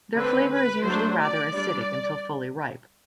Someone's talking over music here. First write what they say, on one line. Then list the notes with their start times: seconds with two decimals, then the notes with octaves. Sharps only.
Their flavour is usually rather acidic until fully ripe.
0.15 D3 A3 C4 B4
0.51 B4
0.84 F#3 A3 D4 C5
1.20 D5
1.54 G3 D4 D5